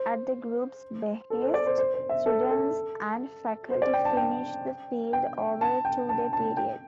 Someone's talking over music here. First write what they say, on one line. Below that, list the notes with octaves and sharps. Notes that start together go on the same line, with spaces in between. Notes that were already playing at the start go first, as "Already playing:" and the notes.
At the group's behest, students and faculty finished the field over a two-day period.
Already playing: C5
A4
C5
D5
C5
C5
C5
E5
A4
A4
C5
D5
G5
A5
G5
G5
A5
G5
A5
A5
G5